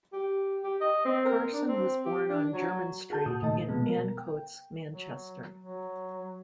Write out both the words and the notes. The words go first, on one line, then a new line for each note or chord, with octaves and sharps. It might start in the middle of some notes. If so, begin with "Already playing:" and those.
Carson was born on German Street in Ancoats, Manchester.
G4
G4
D#5
C4
A#4
D4
C4
G4
D4
F#3
F#4 G#4 A5 G6
A#2 F#4 D#6
A#2 D#3 A3 D#5 A5
B2 F3 G#3 B3
A#4
G5
F#3
F#3